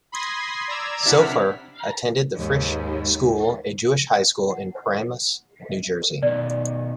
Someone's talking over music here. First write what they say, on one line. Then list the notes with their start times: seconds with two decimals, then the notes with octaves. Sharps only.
Sofer attended the Frisch School, a Jewish high school in Paramus, New Jersey.
0.12 B5 C6 D#6 G#6 A#6 C7
0.68 D5 A#5 E6 G#6
1.05 C3 D4 E4 F#5 F6 B6
2.35 D#2 G#2
4.50 F#5
6.23 B2 D#3 D5